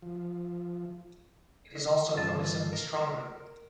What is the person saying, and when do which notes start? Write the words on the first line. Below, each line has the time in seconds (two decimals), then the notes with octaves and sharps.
It is also noticeably stronger.
0.02 F3
2.17 G2 E3 F4 A5
2.73 A#4